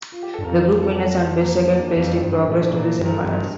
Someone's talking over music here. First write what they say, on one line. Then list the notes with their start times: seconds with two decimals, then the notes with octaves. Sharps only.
The group winners and best second place team progressed to the semi-finals.
0.12 F4
0.23 G4
0.34 G2 A4
0.44 F2 A#4
0.82 A4
0.91 G4
0.99 A4
1.21 C4
1.40 A#3
1.59 A#3
1.78 D4
1.97 F2 D4
2.23 G2
2.35 D4
2.46 A2 E4
2.57 D4
2.69 D4
2.73 A#2 E4
2.99 G2
3.05 A#4
3.11 A4
3.24 G2